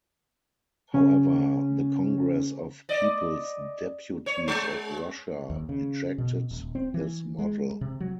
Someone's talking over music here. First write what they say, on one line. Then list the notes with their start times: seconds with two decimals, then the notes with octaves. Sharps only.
However, the Congress of People's Deputies of Russia rejected this model.
0.94 C#3 C#4
2.89 D5 D#5
4.26 C#5
4.48 G#3
5.50 D#2
5.69 C#3
6.18 B2
6.51 D#1
6.75 C4
6.94 E3
7.39 G#3
7.81 C3
8.00 F#3